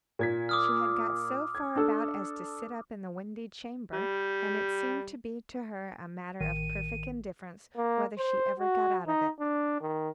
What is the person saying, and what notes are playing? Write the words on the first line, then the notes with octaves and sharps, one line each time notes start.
She had got so far about as to sit up in the windy chamber; and it seemed to be to her a matter of perfect indifference whether she ever got out of it.
A#2 G#6 B6
D6 D#6 F6
G#6
D4 A4 E6
G3
A1 D#3 D#7
A#3
C5
F#4
D#4
D4
D#3